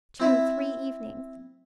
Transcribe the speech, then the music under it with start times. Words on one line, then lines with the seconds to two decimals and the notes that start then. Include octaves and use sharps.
'Two--three evenings.
0.20 C4 E4